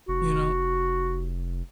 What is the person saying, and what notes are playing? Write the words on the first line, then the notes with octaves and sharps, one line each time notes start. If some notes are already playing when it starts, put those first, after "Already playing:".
You know
F1 F#4